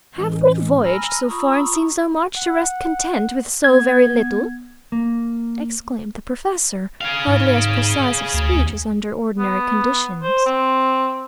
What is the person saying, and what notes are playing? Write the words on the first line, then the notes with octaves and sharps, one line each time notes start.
"Have we voyaged so far and seen so much, to rest content with so very little?" exclaimed the professor, hardly as precise of speech as under ordinary conditions.
A2 E3 G#3 C#4
G#5 A#5 B5 E6 F6 A#6
F4 A#5 B5 C#6 D#6 E6
F#5
B3 G#6
A#3
G#4 F5
G#2
D2
D#2
B3
C5
C4